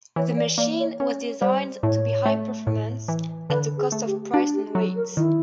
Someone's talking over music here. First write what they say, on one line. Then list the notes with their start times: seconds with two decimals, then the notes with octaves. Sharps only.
The machine was designed to be high-performance, at the cost of price and weight.
0.16 E3 C#5
0.37 D5
0.58 A#3 D5
0.80 C#5
0.99 C#4 C#5
1.41 G3 C5
1.83 A2 C#5
2.26 A3
2.67 A2
3.08 E3
3.50 D3 B4
3.78 G#4
3.92 A3
4.06 G4
4.33 D4 F#4
4.54 G4
4.75 F#3 A4
4.96 A#4
5.17 D#3 E4